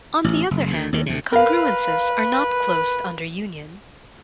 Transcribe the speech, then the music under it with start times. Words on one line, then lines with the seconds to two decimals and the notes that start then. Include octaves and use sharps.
On the other hand, congruences are not closed under union.
0.24 A1
0.51 F#1
0.71 D2
0.93 D#2 D#3
1.06 D2 C3
1.32 A#4 B4 F5